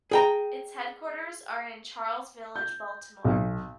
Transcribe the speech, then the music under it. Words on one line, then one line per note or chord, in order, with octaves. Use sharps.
Its headquarters are in Charles Village, Baltimore.
G#4 G5 A#5
G6
B1